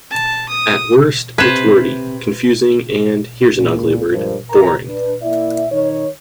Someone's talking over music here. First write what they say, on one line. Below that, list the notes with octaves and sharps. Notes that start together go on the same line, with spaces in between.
At worst, it's wordy, confusing and - here's an ugly word - boring.
A5
D#6
C3 B4 C5 G#6 E7
C#2 A#2
G2 F3 G#3 A#4 C5
A#4 A#5
D4 B4
A#3 E4 D5 E5
D#3 D#4 C#5